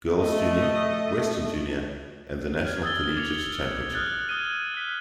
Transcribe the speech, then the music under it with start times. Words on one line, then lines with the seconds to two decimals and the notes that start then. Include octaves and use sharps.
Girls' Junior, Western Junior, and the National Collegiate Championship.
0.18 A3 D#5
2.65 F6 G#6
2.83 D#6 E6 G#6 A6 G7
3.17 D6 G#6 A6 C#7 F7 F#7
3.94 D#6 F6 F#6 A6
4.28 D#6 G#6 A6 D#7 G7
4.74 F#6 B6